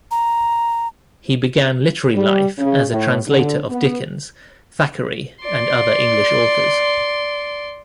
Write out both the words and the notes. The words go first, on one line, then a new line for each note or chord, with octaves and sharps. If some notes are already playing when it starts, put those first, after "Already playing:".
He began literary life as a translator of Dickens, Thackeray, and other English authors.
A#5
G3
C#3
A2
D3
B3
D5 C6